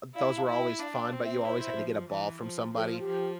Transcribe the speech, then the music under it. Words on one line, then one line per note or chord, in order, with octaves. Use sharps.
Those were always fun, but you always had to get a ball from somebody,
E4 D5 F5
F5 A5
E4
E5 G5
D4 D5 F5
G5
D5 F5
C4
E5 G5
E4 C5 E5
F3
E3
F3
F3 A4
G4
F4
G4
F3